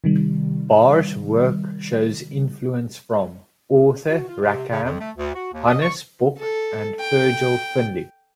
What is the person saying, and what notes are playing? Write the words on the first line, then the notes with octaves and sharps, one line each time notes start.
Barr's work shows influences from Arthur Rackham, Hannes Bok and Virgil Finlay.
C3 D#3 G3
F#4
F4
C3
C#3
F2
A3
D2
F#4
D#2
D#5
C#6
A4
G5